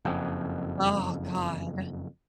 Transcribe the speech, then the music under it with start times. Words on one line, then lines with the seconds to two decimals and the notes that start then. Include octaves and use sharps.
Oh, God.
0.05 F#1 F2